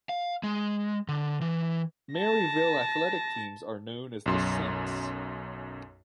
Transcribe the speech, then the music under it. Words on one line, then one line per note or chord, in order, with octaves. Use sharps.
Maryville athletic teams are known as the "Saints".
F5
G#3
D3
E3
A5 A#6
B1 F#2 C6